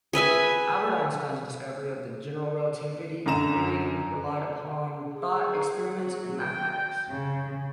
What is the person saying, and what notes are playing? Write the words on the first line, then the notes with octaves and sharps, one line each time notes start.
Albert Einstein's discovery of the general relativity theory relied upon thought experiments and mathematics.
G#4 B4 E5 G#5
F#2 D3 A#5 E7
G#4
F#3
G5
C#3